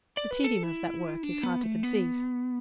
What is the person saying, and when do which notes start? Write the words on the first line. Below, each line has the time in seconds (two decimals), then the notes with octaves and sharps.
The tedium of that work is hard to conceive.
0.17 D5
0.31 B4
0.44 A4
0.63 E4
1.23 D4
1.43 B3
1.63 A3
1.83 B3